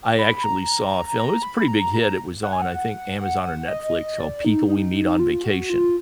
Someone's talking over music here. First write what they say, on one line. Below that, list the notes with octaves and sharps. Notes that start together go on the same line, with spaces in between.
I actually saw a film it was a pretty big hit, it was on, I think, Amazon or Netflix, called People We Meet on Vacation,
B5
A#5
A#5
B5
A#5
A#5
F#5
G#5
F#5
D#5
D5
D#4
D#4
F4
F#4
F4